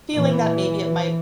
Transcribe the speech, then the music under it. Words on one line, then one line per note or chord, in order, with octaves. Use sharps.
feeling that maybe it might
A#2 E3